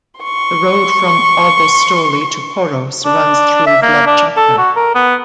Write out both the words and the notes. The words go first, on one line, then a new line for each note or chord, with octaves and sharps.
The road from Argostoli to Poros runs through Vlachata.
C6 C#6
D4
E5
A#3
D4
A4
F#4
A#4
B3